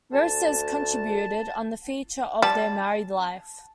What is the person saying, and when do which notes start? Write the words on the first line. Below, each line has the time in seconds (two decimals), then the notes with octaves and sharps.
Roces contributed on the feature of their married life.
0.12 D2 A5
2.42 G3 A5